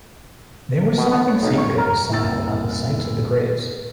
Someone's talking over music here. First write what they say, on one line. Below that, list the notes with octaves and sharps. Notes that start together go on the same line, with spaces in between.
There was something secretive and sad about the sites of the graves.
B2
B3
C#5
B1
C#5
A#4
F#1 C2 E4 E6 A6